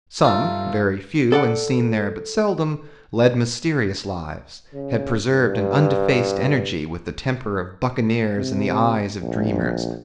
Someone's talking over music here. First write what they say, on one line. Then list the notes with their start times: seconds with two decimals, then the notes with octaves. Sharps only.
Some, very few and seen there but seldom, led mysterious lives, had preserved an undefaced energy with the temper of buccaneers and the eyes of dreamers.
0.24 G2 D#4 F4 A4 E5
1.32 A4 D5 F#5
4.74 C#3
5.31 G2
8.38 C3
9.22 A#1